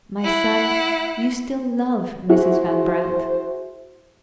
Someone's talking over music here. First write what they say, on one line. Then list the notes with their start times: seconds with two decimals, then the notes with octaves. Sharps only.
My son, you still love Mrs. Van Brandt.
0.20 E4 F#5
2.29 E4 F#4 G#4 C5